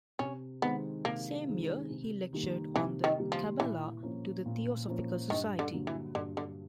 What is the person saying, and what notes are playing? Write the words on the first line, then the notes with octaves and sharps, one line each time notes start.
Same year he lectured on the Kabbalah to the Theosophical Society.
C3 C#4
D#3 G#3 B3 C4
C3 A#3
D#3 G#3 C4
C3
D#3 G3 A#3
C3 E3
D#3
D#3 G3 A#3
F3
A#2 E3
F3 A#3 C#4
A#2
F3 A#3 C#4
G2 D#3
D3
D3 F#3 A#3
E3
G2 D3
D3